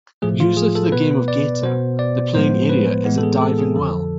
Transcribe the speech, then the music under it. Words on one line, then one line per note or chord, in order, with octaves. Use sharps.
Usually for the game of Gator, the playing area is a diving well.
A2 F3 A3 G#4
F4
G#4
A4
B2 B3 B4
D5
B2 B3 C5
D5
A2 F3 G#3 B3 C5
B4
A2 E3 G#3 B3
A4
G#4
A4
G#4
F2 D3 F3 A4